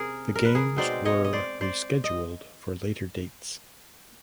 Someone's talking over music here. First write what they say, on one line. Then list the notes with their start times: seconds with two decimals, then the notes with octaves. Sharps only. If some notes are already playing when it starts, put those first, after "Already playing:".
The games were rescheduled for later dates.
Already playing: C3 C#4 G#4 A#4
0.36 A#4
0.45 B4
0.55 G#4 A#4
0.76 B2 G#3 C4 D#4 C5 D5
1.05 C#5 D#5
1.24 D#5
1.33 C5 D5
1.61 C5 D5
2.04 D#5